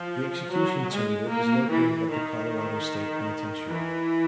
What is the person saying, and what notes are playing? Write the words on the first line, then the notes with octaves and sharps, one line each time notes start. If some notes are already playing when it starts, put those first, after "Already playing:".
The execution chamber is located at the Colorado State Penitentiary.
Already playing: F3
F#3
G#3
A#3
E3
D#3
E3